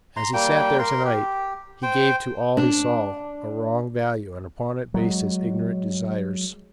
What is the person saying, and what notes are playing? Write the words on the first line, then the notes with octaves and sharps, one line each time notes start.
As he sat there to-night, he gave to all he saw a wrong value and upon it based his ignorant desires.
A#5 C6
G3 A#3 G5
A#4 C6
G4
C5 G5
D4
F#3 G#3